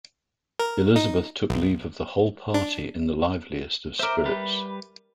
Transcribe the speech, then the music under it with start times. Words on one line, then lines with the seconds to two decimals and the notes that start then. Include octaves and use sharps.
Elizabeth took leave of the whole party in the liveliest of spirits.
0.59 A#4
0.96 D#4
1.50 B1
2.54 D4
3.99 A#4 C5 E5 D6
4.25 G3 G4 B4